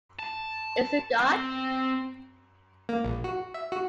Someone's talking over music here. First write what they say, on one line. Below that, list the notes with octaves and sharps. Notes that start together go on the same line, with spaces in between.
Is it God?
A5
C4
A#3
A#1
F#4
E5
F#4